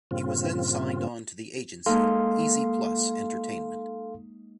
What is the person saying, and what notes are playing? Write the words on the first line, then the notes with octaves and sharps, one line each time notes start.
He was then signed on to the agency "Easy Plus Entertainment".
G2 A#2 C#3 C4 F4
G#3 A#3 D#4 A4 F5 C6